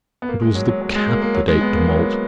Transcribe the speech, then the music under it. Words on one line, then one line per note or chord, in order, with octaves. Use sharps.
It was the cat that ate the malt.
B3
A#3
G#3
F#3
F#3
F#3
G#3
A#3
A#3
F#3
G#3
B3
A#3
F#3